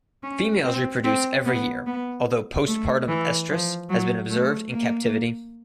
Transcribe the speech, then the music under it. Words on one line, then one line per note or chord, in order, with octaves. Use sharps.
Females reproduce every year, although postpartum estrus has been observed in captivity.
C#4
C4
C4
B3
B3
A3
E3
F3
F#3
A3
A#3